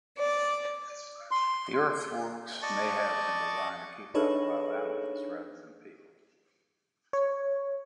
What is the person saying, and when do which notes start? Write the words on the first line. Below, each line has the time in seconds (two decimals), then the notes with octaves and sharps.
The earthworks may have been designed to keep out wild animals rather than people.
0.17 D5
1.31 C6
2.62 D5 D#5 A5 C#6
4.14 D4 D#4 G#4 A4 B4 C#5
7.13 C#5